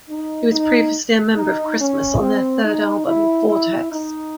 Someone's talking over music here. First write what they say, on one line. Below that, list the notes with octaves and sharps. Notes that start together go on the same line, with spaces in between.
He was previously a member of Christmas on their third album "Vortex".
D#4
D#4
D#4
C#4
C4
D#4
E4
E4
D#4